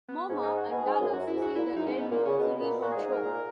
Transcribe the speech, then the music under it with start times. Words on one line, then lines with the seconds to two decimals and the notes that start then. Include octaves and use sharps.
Momma and Dallas see the Ed Sullivan show!
0.08 B3
0.29 G#2 C#4
0.43 D#4
0.57 F#4
0.71 B2 G#4
0.85 G#2
0.92 G#4
1.00 F#2
1.13 F#2 F#4
1.27 E4
1.34 G#2
1.42 F#4
1.55 A#2 E4
1.66 E4
1.76 F#2 D#4
1.86 G#2 C#4
1.97 G#2 B3
2.11 A#2 A#3
2.25 C#3 C#4
2.39 B2 B3
2.60 A#2 B3
2.82 A#2 F#4
2.92 G#4
2.96 G#2
3.03 G#4
3.09 G#2 A#4
3.24 A#2